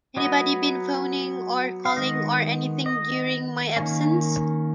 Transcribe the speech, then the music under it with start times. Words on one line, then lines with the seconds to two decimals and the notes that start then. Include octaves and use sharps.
Anybody been phoning or calling or anything during my absence?
0.17 F#3 B3 D#5
1.86 F5
1.96 D#3 G#3 B3 D#5
2.86 D#5
3.77 D#3 A#3 C#4